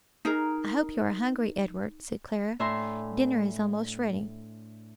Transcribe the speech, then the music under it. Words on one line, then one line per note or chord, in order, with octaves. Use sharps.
"I hope you are hungry, Edward," said Clara; "dinner is almost ready."
D#4 G#4 A#4
A2 D4 E5 G#5 A#5 C6